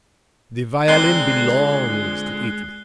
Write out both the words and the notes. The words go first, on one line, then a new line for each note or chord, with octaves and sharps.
The violin belongs to Italy.
A#2 D3 G#3 C4 F#6 C7 G7